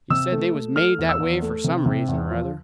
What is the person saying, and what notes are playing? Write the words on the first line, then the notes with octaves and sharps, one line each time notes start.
He said they was made that way for some reason or other.
C3 E6
A3
A3
A3 F6
E2
E6
E2
A3
C3
C3
E2
F3